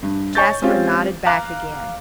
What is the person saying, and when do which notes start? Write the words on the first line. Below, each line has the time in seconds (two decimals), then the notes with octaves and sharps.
Jasper nodded back again.
0.03 G2
0.35 C#5 D#5 G#5 C#6 G6 A6
0.62 G#3 C4 C#4 F4 G4
1.26 F5 A#5 D6 F#6